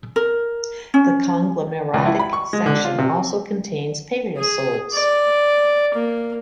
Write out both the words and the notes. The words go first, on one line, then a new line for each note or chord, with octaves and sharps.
The conglomeratic section also contains paleosols.
A#4
C#4
C#2
E4
B5
C#6
G#3
D3
F4
C3
G#4
D5
A#3